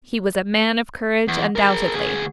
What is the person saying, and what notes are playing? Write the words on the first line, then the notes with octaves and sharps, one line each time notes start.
He was a man of courage undoubtedly.
E2
G#4 A#4
D2 G#4